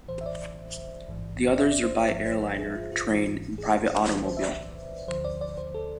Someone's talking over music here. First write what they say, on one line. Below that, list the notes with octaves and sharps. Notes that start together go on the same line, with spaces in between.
The others are by airliner, train, and private automobile.
A1 A2 E3 C5
E5
D5
D5
A1 G#2 E3
D5
E5
D5
C5
D5
G#1 G#2 F3 E5
C5
B4
G#4
F4
F4
G#1 G#2 E3
G#4
G#4
B1 A2 E3 B4
C5
E5
D5
D2 D3 F3 C5
D5
D5
C5
A4